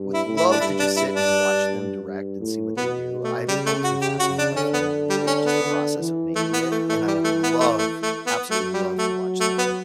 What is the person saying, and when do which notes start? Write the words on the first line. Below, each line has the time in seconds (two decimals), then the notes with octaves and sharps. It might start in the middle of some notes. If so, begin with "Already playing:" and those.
would love to just sit and watch them direct, and see what they do. I've always been fascinated by film a little bit, just the process of making it, and I would love, absolutely love, to watch them,
Already playing: G2
0.14 E4
0.25 A2
0.36 E4
0.51 D4
0.60 G2 E4
0.79 D4
0.97 E4
1.15 D4
2.05 G2
2.40 A2
2.76 B2 B3
3.24 A3
3.48 C#3 G3
3.66 A3
3.84 F#4
4.01 G4
4.19 C#3 F#4
4.38 D4
4.56 D3 C#4
4.73 B3
5.10 G3
5.27 C#4
5.45 B3
5.63 D3
5.99 E3
6.36 E3 A3
6.53 B3
6.71 A3
6.89 A3
7.07 G3
7.24 A3
7.43 B3
7.60 A3
7.78 A3
8.02 A3
8.27 B3
8.50 F#3 A3
8.74 G3
8.98 A3
9.40 A3
9.58 B3